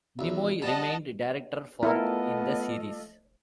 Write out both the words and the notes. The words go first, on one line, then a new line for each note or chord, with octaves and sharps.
Nimoy remained director for in the series.
B1 E2
G3 D#5 F#5 A5
A3 B3 E4 F4 A4 A#4 D#5